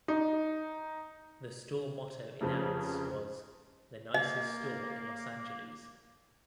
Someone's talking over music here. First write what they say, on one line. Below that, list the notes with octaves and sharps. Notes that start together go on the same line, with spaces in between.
The store motto in ads was "the nicest store in Los Angeles".
D#4
F1 F2 C#3 F3
A#3 D#5